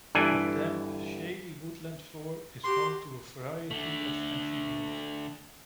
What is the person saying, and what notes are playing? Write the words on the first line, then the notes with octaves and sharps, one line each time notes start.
The damp, shady woodland floor is home to a variety of amphibians.
G1 E3 D4 G#5
F#4 G4 C6
D3 A3